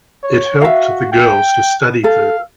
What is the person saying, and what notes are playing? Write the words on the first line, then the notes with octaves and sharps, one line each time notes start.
It helped the girls to study further.
C#5
F#4 E5 F5
G5
A4 F5